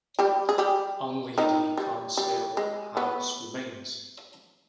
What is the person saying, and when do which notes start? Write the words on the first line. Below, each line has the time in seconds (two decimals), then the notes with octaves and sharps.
Only the Council House remains.
0.19 G3 G4
0.49 G#4
0.58 G3 G4
1.38 D#3 D#4
1.77 G3
2.17 G3
2.57 G#3
2.97 B3